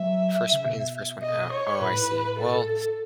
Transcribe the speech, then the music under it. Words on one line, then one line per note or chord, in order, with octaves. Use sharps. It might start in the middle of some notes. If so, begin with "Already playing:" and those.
First one in is first one out. Oh, I see. Well
Already playing: F#3 E5
C#3
B2
D#5
C#5
A2 B4
G#2
A2
A4